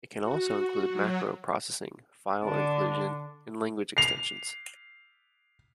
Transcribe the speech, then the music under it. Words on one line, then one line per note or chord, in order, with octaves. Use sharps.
It can also include macro processing, file inclusion and language extensions.
F#4
F#3
D3 D4
C7 F7